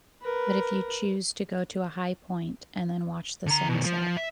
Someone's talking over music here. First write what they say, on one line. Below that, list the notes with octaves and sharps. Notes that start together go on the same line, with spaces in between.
But if you choose to go to a high point and then watch the sunset,
A#4 B4
D3 A#5
B2 D#3
F3
E5